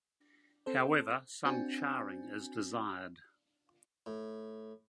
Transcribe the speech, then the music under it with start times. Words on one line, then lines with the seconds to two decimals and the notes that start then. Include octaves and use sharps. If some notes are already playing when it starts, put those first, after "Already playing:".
However, some charring is desired.
0.66 C4 A4 C5
1.45 C4 D4 F#4 G#5
4.06 A2